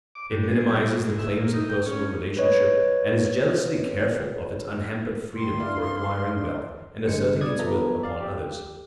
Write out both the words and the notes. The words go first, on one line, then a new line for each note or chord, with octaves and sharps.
It minimises the claims of personal relationship and is jealously careful of its unhampered freedom for acquiring wealth and asserting its will upon others.
D6
G2
G#4
G3
G#2
E5
A#2
D#4
G5
C#4
B4 C#5 D#5
G2 C6
D4 E4 F5
G1 G2 G#3 C#7
G3 D5 D#6 G#6
F3 B3 A4 B4 E5 A#5
D5 F5
G4